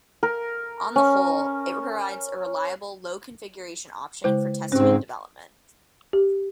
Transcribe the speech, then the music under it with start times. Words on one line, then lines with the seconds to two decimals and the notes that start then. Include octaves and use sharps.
On the whole, it provides a reliable, low configuration option for testing in development.
0.23 A#4
0.96 C#4
4.24 C#3 G#3 E4 C5
4.72 G#2 C4 C#4 G4 C5
6.13 G4